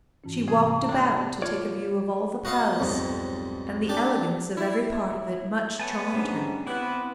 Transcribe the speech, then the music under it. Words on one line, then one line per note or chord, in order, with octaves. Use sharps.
She walked about to take a view of all the palace, and the elegance of every part of it much charmed her.
G#2 E3 C#4
G#2 C3 E3 G#4
G3 D4
F4 C#5 D5
F#4 D#5 F5 F#5
B1 F2 G#2 G3
D4 G4 D5
E4
B3 C#5 G#5 A5
G#2 G3 C#4 D4
B3 C4 E4 B4 D6 F#6